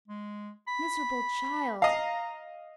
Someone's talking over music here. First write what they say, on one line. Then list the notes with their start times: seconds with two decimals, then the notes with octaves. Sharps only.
Miserable child!
0.08 G#3
0.68 B5
1.82 D#5 F5 A#5